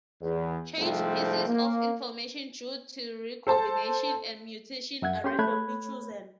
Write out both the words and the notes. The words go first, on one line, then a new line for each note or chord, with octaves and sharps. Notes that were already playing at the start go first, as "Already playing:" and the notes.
Changed pieces of information due to recombination and mutation are randomly chosen.
E2
C2 G#2 F3 A3 C4
A#3
A4 C5 A5
F#2 E5 F#5 G#6
C#4 G4 C6 G6
A3 C#5 B5 F#6 G#6